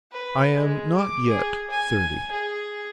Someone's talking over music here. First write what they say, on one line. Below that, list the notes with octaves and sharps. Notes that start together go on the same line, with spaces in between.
'I am not yet thirty.'
B4
G#3
D6
G#4
G#5
G#4